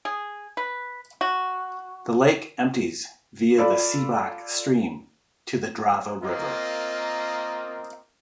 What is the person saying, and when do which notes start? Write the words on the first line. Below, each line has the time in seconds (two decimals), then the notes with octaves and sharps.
The lake empties via the Seebach stream to the Drava river.
0.05 G#4
0.57 B4
1.21 F#4
3.58 F4 A4 D5 B5
6.23 A#3 C4 F4 A#4 D#5